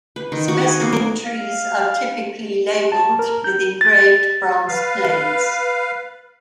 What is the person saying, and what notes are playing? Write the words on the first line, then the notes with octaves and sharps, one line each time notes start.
Specimen trees are typically labeled with engraved bronze plates.
B4
D#3
F#4
G#4
A#3
F5
A5
A#4
G6
A6
B4 F5